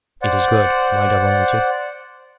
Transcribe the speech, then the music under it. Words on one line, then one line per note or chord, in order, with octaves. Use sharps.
"It is good," my double answered.
C5 D5 F#5